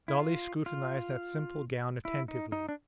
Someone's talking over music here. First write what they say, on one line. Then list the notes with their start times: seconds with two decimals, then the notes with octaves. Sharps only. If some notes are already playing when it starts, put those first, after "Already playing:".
Dolly scrutinized that simple gown attentively.
0.08 E4
0.19 F4
0.66 F4
2.05 E4
2.28 D#4
2.52 D#4
2.69 D4